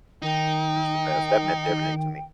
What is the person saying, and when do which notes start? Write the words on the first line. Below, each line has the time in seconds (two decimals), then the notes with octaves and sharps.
it was the best. That meant everything to me.
0.22 D#3 D#4 G5